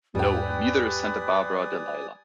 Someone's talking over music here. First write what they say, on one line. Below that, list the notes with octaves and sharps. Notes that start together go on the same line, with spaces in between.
No, and neither is Santa Barbara, Delilah.
E2 G#2 G3 G4 B4 D5 G#5 D#6